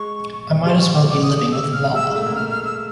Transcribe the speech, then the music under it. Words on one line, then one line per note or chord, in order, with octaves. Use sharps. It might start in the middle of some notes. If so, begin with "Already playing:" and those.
I might as well be living with mama.
Already playing: G#3 C#6
G3 C6
C#6
D6
D6
D#6
D#6
E6
F6
G3 E6
G#3
A3
A#3 E6
A#3 F6
F6
E6